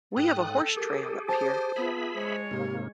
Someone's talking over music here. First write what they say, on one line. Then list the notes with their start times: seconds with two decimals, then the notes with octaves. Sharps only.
we have a horse trail up here
0.16 G#2 A4 G5 D#6 F#6
0.76 G4 G#4 A#4
1.28 C5 A5
1.76 B3 F4 G#4 E5 B5
2.15 G#3 C5 C#5
2.51 G#2 C3 A#3 G4